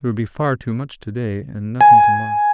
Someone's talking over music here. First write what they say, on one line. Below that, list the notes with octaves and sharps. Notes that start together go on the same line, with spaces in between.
There would be far too much today and nothing tomorrow.
G#5